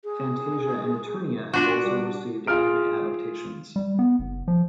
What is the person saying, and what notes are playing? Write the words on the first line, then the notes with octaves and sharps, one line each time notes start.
"Phantasia" and "Eternia" have also received anime adaptations.
G#4
D4 F4 F#4
G3
F4 G#4 F6 D7
G3
B3
F#1
F3